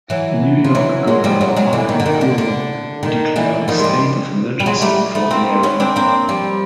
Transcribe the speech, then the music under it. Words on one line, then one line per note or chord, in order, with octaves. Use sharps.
New York Governor Andrew Cuomo declared a State of Emergency for the area.
E3 F#3
F3
E3 F#3
F#3 G#3
F3 G3
F#3 G#3
F#3 G#3
D3 E3
D#3
D3
D#3
D3
D3
D#3
D3 E3
D#3 F3
G#3
F3 G3
G3
F#3 G#3
G3 A3
A3 B3
A#3 C4
B3 C#4
C4 D4
A#3 C4
F3 G3